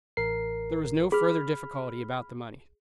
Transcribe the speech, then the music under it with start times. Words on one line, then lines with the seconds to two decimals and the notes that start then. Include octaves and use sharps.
There was no further difficulty about the money.
0.17 A1 A#4 C7
1.12 G#4 B5 F6